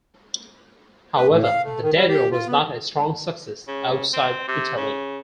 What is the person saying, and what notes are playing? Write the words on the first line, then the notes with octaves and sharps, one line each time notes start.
However, the Dedra was not a strong success outside Italy.
B4
A2
F5
A3
D#3
G3
G4
F4
B3
C#3
C4
C3
C#3